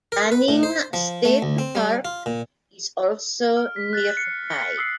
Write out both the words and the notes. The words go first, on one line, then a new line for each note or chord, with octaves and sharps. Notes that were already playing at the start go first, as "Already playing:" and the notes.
Banning State Park is also nearby.
A#4
B4
A2
C5
F3
A3
D2
C4
G3
F4
A#2
F6
B6
F#6 A6
C7 C#7
D#6 E6 C7